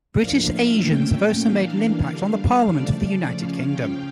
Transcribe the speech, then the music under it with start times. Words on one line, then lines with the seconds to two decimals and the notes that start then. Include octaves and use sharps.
British Asians have also made an impact on the parliament of the United Kingdom.
0.19 A2 F3 A#3 D4 F5
0.50 E5
0.82 A#2 A3 C#4 G5
1.46 E3 A#3 D4 F5
2.09 D3 G3 D4
2.73 C#3 F3 A3 D5
3.37 C#3 F3 C#4 F5
3.68 G5